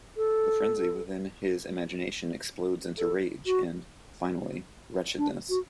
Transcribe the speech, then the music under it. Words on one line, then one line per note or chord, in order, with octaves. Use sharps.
The frenzy within his imagination explodes into rage and, finally, wretchedness.
A4
A4
F#4
D4
F#4